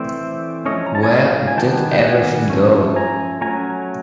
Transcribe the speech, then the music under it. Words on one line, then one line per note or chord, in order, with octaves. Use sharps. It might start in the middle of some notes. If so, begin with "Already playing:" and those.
Where did everything go?
Already playing: E3 A3 C4 C5 D5
F3 A3 C#4 C#5 D#5
A#5
A5
G#5
F5 G5
G#5
D#3 G3 B3 G5 A5
G5
F#5 G#5
F3 A3 C#4
G#5 A#5
F#3 A3 C#4 G#5 A#5